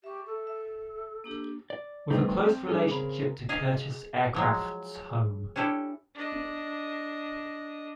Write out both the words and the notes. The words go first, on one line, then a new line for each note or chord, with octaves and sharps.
With a close relationship to Curtiss aircraft's home.
G4 E5 C#6
A4
E5
A#3 D4 G4
D5
G3 A3 B3 C4 D#4 G4
C4
F#3 G3 D4 G#4 A4
C#3 C4 G#4 A#4 B5
G#4 D#5 F5 G#5
F3 F#3 G#3
C#4 D4 E4 G4 A4
D4 D#5